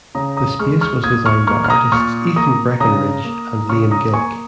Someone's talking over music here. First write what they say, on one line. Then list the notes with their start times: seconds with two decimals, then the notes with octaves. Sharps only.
The space was designed by artists Ethan Breckenridge and Liam Gillick.
0.15 C#3 A#5 D#6
0.37 A#5 D#6
0.59 G#3 C#6 F6
0.81 C#6 F6
1.03 A#2 D#6 G#6
1.25 C#6 F6
1.47 A#3 C#6 F6
1.64 F6
1.70 A#5 D#6
1.92 A#2 C#6 F6
2.36 A#3 A#5 D#6
2.80 C#3 A#5 D#6
3.25 A#3
3.69 C#3 C#6 F6
3.91 A#5 D#6
4.13 A#3 G#5 C#6